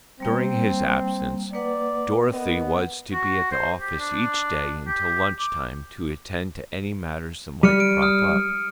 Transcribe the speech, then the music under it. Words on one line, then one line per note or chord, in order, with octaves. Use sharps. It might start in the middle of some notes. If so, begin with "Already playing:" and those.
During his absence, Dorothy was to be at the office each day until lunch time to attend to any matters that might crop up.
G3 A#3 C4 G5
A#3 B4 D5 F#5
B3 A#4 D#5
F#4
C5
G4
D4
G4
D6
G3 F6 C#7 D#7
D7
D#6 F6